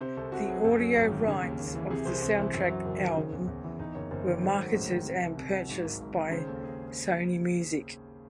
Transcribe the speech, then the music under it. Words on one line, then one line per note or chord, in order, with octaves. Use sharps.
The audio rights of the soundtrack album were marketed and purchased by Sony Music.
C3 C5
C2 A4
C2 F#4
F#3 G#4
F#2 A4
F#3
G#1
D#3
C#3
D#2
D#2
E3
C3 G#4
C2 C5
C2 C5
E3 C5
F#2
F#3
F#1
D#3
C#3
E2
E2
E3
E2 D#4
F#1 C#5
F#1 C5
D#3 C#5
G#2 C5
F#3 A4
A1 G#4
D#3 C5
C3
C2
C2
F#3
G#2
G#1
G#1
D#3
C#3 C5
D#2 A4
G#4